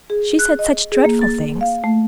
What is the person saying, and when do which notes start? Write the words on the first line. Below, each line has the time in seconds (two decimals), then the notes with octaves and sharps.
"She said such dreadful things."
0.10 G#4
0.39 F#6
0.59 D#5
0.92 G#4
1.05 A#3
1.21 A6
1.61 F5
1.84 A3